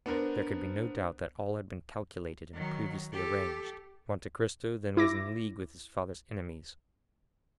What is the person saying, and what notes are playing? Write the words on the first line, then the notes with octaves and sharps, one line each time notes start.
There could be no doubt that all had been calculated and previously arranged; Monte Cristo then was in league with his father's enemies.
B3 D4 A#4 C5
D#3 F#3
G4 A4
E4 D6 A#6